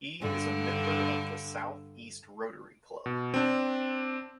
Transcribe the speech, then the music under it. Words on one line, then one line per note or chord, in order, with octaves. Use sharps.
He is a member of the South East Rotary Club.
G2 D3
B2
C4 D4